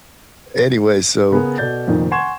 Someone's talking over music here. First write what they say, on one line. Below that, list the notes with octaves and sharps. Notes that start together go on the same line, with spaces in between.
anyway, so,
C#3 B3 G#4 A#4
B2 A4 D5 G6 A6
F1 F2 A#2 D#3
F#5 G#5 C6 C#6 G#6 E7